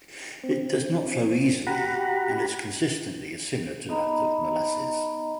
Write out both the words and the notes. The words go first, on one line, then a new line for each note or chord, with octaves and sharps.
It does not flow easily, and its consistency is similar to that of molasses.
C4
C4
F#4 G4 F#5 A#5 B5
B3 D#4 D#5 A#5 B5